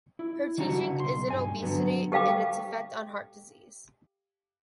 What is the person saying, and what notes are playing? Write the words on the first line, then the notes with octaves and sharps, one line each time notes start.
Her teaching is in obesity and its effect on heart disease.
E4
D#3 G3 D4 F#4 A#5
C#3 F#4
B1 C6
G2 G#5
D3 D#3 F#3 B3
G4 A4 F5 G5 D6